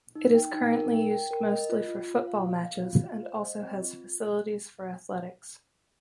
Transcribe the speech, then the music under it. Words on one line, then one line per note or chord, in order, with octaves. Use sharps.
It is currently used mostly for football matches and also has facilities for athletics.
D#4
G5
D#4
A#4
G5
G5
A#4
D#5
F4
F4
F4
F5
F5
F5
F4
F5
C5
D#5
C4
F4